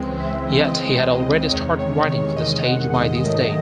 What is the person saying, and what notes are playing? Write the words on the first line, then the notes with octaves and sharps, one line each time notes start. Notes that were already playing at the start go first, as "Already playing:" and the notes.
Yet he had already started writing for the stage by this date.
Already playing: C#2 C#3 E3 G#3 C4
E5
C#2 C#3 E3 G#3 C4 D#5
E2 C3 D#3 G#3 C#5
C#5
C#5
E2 C3 D#3 G#3 D#5
F#5
D#5
G#2 D#3 F#3 A3